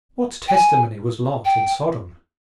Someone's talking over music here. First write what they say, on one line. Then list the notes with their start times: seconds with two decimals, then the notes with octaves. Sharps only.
What testimony was Lot in Sodom?
0.48 G5
0.53 G#5
1.45 G5